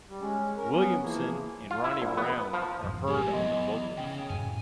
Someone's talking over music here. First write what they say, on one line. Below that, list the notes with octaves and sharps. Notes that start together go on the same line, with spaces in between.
Williamson and Ronnie Browne are heard on the vocals.
G3
G#3 C#4
C#4 A#4
F#3 B3 C#4
E3 F3 A#3 G#4
F4
E4
A#1
B3
B4
F3
A1 F#2 F3
G#3 A#3 G4 G#5
E2 E3 F#3 D#5 C6
C#3 G5
F#2 A2 G#5